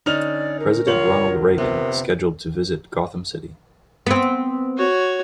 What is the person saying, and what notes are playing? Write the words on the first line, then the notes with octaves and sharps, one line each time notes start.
President Ronald Reagan, scheduled to visit Gotham City.
D3 C#4 D#4 D5 F6 F7
A#4
F1 F4 C#5 F#7
C3 B3
B3 C4
F#4 C#5